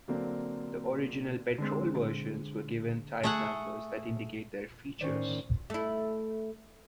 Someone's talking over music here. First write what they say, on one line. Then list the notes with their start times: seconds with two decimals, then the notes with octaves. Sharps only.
The original petrol versions were given type numbers that indicate their features.
0.08 D3 F#3 A#3 C4 D4
1.58 D3 G#3 C4
3.23 A3 G#4 F#5
5.01 A2 D#3 C#4 C5 D5
5.70 A3 E4